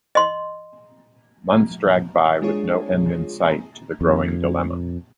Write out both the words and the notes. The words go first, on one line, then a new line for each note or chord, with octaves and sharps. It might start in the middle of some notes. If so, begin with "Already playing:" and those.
Months dragged by with no end in sight to the growing dilemma.
D#5 C6
G#3 D4 F4 G#4 C#5
F2